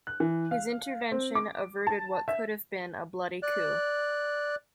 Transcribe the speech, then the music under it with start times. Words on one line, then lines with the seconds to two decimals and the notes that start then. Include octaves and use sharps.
His intervention averted what could have been a bloody coup.
0.07 F#6
0.20 E3
0.51 F5
1.11 C4
1.35 D6
1.87 A5
2.28 E5
3.43 D5 F#6